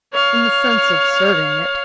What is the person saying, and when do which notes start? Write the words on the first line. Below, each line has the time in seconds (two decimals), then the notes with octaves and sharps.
"In the sense of serving it."
0.13 C#5 F5